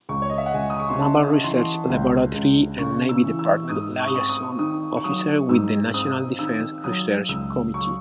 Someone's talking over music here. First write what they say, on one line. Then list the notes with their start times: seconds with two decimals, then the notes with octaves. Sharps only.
Naval Research Laboratory and Navy Department Liaison Officer with the National Defense Research Committee.
0.09 C#2 C#6
0.22 C#5
0.30 D#5
0.38 E5
0.46 F#5
0.54 C#2 G#5
0.70 D#6
0.80 C#6
0.89 C6
0.99 C#3 A5
1.44 E3 C6
1.90 C#2
2.34 C#2
2.79 C#3 C#6
3.09 E6
3.24 E3
3.39 E6
3.70 G#2 D#6
4.00 C#6
4.08 D#6
4.15 C4 C#6
4.30 D#6
4.59 D#3 D#6
4.97 C#6
5.04 F#3 D#6
5.49 G#2 E6
5.94 C4 D#6
6.39 D#3 E6
6.84 F#3 D#6
7.29 C#2 E6
7.74 F#3 C#6